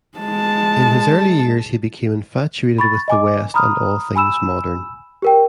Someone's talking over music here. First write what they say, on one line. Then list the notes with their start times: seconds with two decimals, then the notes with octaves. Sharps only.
In his early years he became infatuated with the West and all things modern.
0.18 G#3 A5
2.78 B5 C#6 A6
3.08 D#5 G#5 D6
3.54 A#5 B5 D#6 F6
4.16 G#5 B5 E6 E7
5.22 G4 A#4 G5